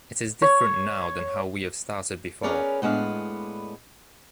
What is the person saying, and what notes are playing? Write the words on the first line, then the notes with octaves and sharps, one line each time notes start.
It is different now than how we have started before.
C#5
C#4 G#4 A#4 B4 C#5 D5
A2 G#3 B3 D4 F5